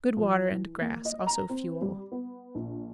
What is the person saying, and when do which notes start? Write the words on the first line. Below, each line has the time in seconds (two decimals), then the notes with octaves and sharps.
Good water and grass, also fuel.
0.17 F3
0.51 E3
0.81 A#3
1.05 D#5
1.27 A#5
1.50 C4
1.81 G3
2.12 B3
2.55 A#1